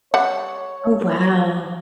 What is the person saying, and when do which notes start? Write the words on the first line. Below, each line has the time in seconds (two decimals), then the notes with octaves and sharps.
Oh, wow.
0.14 G3 C#5 F#5